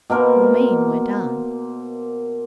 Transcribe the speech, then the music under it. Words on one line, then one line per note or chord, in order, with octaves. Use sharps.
Romayne went on.
B2 A#3 A#4 C5